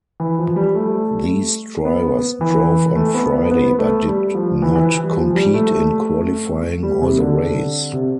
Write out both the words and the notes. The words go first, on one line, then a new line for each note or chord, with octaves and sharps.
These drivers drove on Friday but did not compete in qualifying or the race.
E3
F3
G3
A3
B3
E3
A3
B3
B3
B3
A3
G3
F3
E3
E3
G3
F3
G3
A3
G3
C3
D3
C3